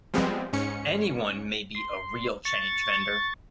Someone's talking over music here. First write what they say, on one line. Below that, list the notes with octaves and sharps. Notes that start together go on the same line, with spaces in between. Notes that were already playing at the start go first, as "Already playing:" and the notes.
Anyone may be a "Real Change" vendor.
F3 G3 G#3 B3 C4
G#2 C#4 C#7
C6
C#6 A6